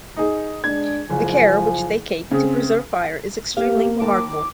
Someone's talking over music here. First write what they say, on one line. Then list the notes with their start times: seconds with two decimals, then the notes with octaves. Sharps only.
The care which they cake to preserve fire is extremely remarkable.
0.16 D#4 G#4
0.64 G#3 D4 G#6
1.10 F#1 F3 G#5
2.31 C#3 C4 G#4
3.57 A#3 G4 F5
4.00 D#2 A5 D6